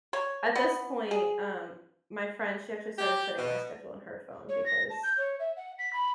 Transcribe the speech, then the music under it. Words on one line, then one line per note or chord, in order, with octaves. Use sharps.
at this point, um, my friend, she actually started putting my schedule on her phone because
C#5
B3
G#4
G4
B2
C#5
A#6
A5
G6
C#5
E5
F#5
B6
B5